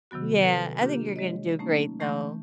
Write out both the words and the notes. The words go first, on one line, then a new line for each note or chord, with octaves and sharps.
Yeah, I think you're gonna do great though.
C3 D#3 F#3 B3 F#4
A4 B4
A#3 D4 F4 G4
G#3 C#5 D#5
F#3 A3 A#3 C#4 D#4
E3 A3 C#6 G6 A#6